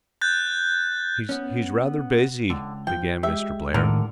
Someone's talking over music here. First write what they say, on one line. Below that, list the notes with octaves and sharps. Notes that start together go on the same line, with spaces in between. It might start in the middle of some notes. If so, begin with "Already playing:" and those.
"He's--he's rather busy," began Mr. Blair.
F#6 G6 A6
B3 C#4
C#2 D3
F3 G5
G#3 G4 E5
A2 D3 D#3 A#4